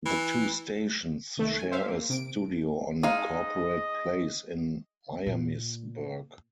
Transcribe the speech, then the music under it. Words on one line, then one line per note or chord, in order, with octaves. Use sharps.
The two stations share a studio on Corporate Place in Miamisburg.
E3
C2 D#3 A3
G#5
C5 E5 F5
A#3
C3 D7
G#3 D#4 D#5 F5
A#2